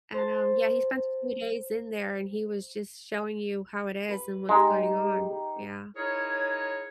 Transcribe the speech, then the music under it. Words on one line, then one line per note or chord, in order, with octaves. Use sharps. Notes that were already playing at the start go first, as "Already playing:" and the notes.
And, um, yeah, he spent a few days in there and he was just showing you how it is and what's going on, yeah.
C5 A5
B4
G#3 D#4 G4
D#4 E4 G#4 A#4 C#5